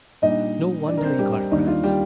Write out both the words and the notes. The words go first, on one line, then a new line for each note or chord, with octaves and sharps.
"No wonder you got cramps."
A#2 G3 D4 D#4 D#5
D4 D5
A#4
C4 C5
G3 G4
D#2 D#3 G3 A#3 D4 D#4
F4
G3 G4